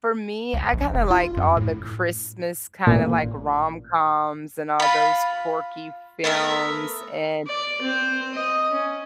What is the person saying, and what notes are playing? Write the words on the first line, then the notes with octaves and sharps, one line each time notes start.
for me, I kinda like all the Christmas kinda like rom-coms and all those quirky films and,
C#2
A#1
F1
F4
F#2
A2
A1 A#2
F4 B5
A3 B3 A#4 E5
D5
C4 C5
D#5
C#4